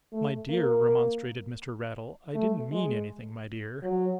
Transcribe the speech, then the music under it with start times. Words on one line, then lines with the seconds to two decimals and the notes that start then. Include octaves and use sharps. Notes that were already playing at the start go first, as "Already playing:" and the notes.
'My dear,' remonstrated Mr. Raddle, 'I didn't mean anything, my dear.'
0.12 A3
0.50 A#3
2.35 A3
2.72 G#3
3.82 F#3